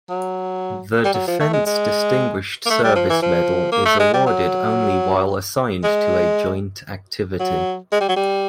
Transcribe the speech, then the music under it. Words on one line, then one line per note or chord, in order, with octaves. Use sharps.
The Defense Distinguished Service Medal is awarded only while assigned to a joint activity.
F#3
G3
F#3
F3
A3
G#3
G#3
A#3
A3
G3
F3
E3
F3
A#3
A3
G#3
G3
F#3
G#3
F#3
G#3
G3
F#3
G3